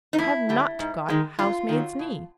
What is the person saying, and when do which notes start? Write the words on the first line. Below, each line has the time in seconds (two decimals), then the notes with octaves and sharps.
I have not got housemaid's knee.
0.13 D#4
0.18 F2 E4
0.49 D3 G3
0.79 G#2
1.08 D#3 G#3
1.39 F#2 F4
1.69 D#3 F#3
1.99 B2